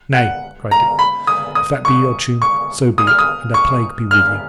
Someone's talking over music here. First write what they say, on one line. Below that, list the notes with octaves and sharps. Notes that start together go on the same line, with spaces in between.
"Nay," cried Dick, "if that be your tune, so be it, and a plague be with you!"
F#5
A#5
B5
D#6
D#6
C#6
C#6
D#6
F6
D#6
C#6
F6